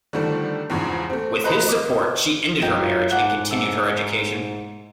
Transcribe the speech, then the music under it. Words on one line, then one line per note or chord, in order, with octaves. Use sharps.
With his support she ended her marriage and continued her education.
D3 D#3 F3 G3 A3 D4
E2 G#2 C#3 F3
A3 C4
B4 C5 D#5 A#5 B5
D#5 D6
F#2 D#4 F4 G4 G5
G#2 F#5 A5 D6
E5 A5 D6